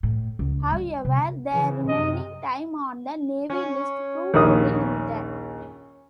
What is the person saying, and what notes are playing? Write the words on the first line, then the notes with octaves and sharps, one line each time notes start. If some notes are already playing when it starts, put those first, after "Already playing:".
However, their remaining time on the navy list proved to be limited.
A2
C#2
G3
C3
C#3 E3
F#2 C3 D#5
C#4
A#1 D#2 D#6